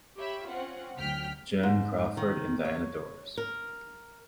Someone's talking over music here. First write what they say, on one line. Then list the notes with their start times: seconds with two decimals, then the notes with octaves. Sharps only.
Joan Crawford and Diana Dors.
0.17 G4 C#5 E5 B5
0.47 C4 C#4 F4 F#5
0.97 D2 F#3 G5 F6 B6
1.63 G#2
2.17 D#3
2.65 C#5
3.37 A#4